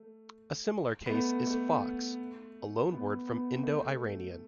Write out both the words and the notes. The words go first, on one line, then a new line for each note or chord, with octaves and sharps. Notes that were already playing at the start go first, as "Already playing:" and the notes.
A similar case is "fox", a loanword from Indo-Iranian.
Already playing: A3
B3
A3
A3
B3
B3
A3